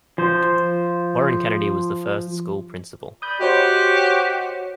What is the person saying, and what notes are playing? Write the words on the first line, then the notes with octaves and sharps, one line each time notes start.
Warren Kennedy was the first school principal.
F3 C5
D5 B5 D#6 G6
F#4 G4 C5 C#5 D#5